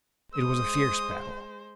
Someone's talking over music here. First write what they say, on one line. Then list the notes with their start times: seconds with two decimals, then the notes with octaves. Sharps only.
It was a fierce battle.
0.35 G#3 C5 D#6